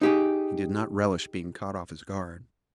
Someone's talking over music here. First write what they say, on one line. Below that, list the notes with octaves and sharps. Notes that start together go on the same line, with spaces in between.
He did not relish being caught off his guard.
D#4 G4 G#4